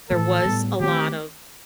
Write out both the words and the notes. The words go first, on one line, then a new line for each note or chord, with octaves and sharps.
there was a lot of,
A2 E3 A3 A4
A2 G3 B3
D#3 A3 C4 G4